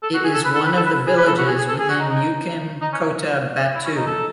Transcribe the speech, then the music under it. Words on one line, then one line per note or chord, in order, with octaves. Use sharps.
It is one of the villages within Mukim Kota Batu.
A4
F#4
G#4
A4
B4
A4
B4
A4
B4
G#4
B4
A4
F#4
G#4
G#4
A4
G#4
F#4
D#4
D#4
D#4
C#4
E4
C#4
D#4
A4